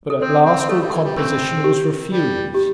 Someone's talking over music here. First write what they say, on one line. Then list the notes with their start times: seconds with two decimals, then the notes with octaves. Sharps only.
But at last all composition was refused.
0.10 A4
0.21 C4 C5
0.45 C4
0.59 C4
0.69 A3 A4
0.80 G3
0.92 E3
1.04 G3
1.17 E3 A3 C4
1.64 G4
2.12 G3
2.54 G4